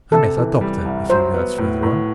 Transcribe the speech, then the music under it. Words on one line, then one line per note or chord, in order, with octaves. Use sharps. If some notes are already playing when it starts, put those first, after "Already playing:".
I met our doctor a few yards further on.
C3 A4
E3
G3
C2
F#3 C5
B3
A2
A2